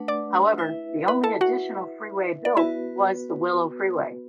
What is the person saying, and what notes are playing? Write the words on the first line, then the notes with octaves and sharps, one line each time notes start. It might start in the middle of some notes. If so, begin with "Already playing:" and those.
However, the only additional freeway built was the Willow Freeway.
Already playing: A3 D4 B4 F#5
D5 D6
E4 B4 E5
B4 B5
A4 A5
F#4 F#5
E4 B4 E5
D5
B3 E4 F#4 B4 E5